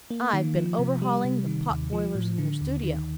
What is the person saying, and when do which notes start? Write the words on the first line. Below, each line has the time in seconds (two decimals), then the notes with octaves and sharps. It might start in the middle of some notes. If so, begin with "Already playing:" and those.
I've been overhauling the pot-boilers in your studio.
0.11 A#3
0.33 D#3
0.56 F3
0.79 C3
1.02 G3
1.25 C3
1.47 D#3
1.70 D#2
1.93 F3
2.15 A2
2.38 D3
2.61 D#2
2.84 D#3